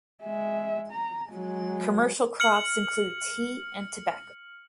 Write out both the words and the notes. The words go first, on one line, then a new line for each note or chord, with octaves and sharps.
Commercial crops include tea and tobacco.
G#3 E5
A#5
F#3 G#3
F6 C#7 F#7